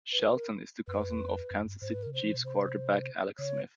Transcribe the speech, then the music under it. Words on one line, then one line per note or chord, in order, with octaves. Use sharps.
Shelton is the cousin of Kansas City Chiefs quarterback Alex Smith.
B4
A#4
F#2 B4
E2
F2
F#2
G2
G#2 C5
B4
A#4
C#3
C3 C5
E3
B2
C3 C5
C#3 C#5